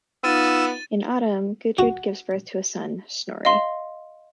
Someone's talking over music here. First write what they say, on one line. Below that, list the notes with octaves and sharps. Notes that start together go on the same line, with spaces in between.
In autumn, Gudrid gives birth to a son, Snorri.
B3 D#4 F4 F5 E6 A6 D#7
F#4
D#5 F5 C6